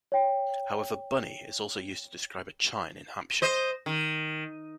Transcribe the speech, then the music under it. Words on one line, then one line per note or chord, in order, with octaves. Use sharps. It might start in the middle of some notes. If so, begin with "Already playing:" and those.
However, 'bunny' is also used to describe a chine in Hampshire.
C#5 G5
C5 D#5
D#3